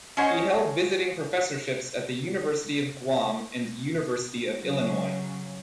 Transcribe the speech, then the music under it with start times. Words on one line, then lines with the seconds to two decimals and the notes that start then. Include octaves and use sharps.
He held visiting professorships at the University of Guam and the University of Illinois.
0.17 C#4 G#4 C5 C#5 D#5 F#5
4.60 C#3 F#3